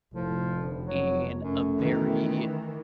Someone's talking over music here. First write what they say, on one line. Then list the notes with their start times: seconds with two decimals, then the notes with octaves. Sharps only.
in a very
0.14 F1 A2 F3
0.56 D2
0.86 G#1 F#3
1.41 F#2 A3
1.80 D#3 E3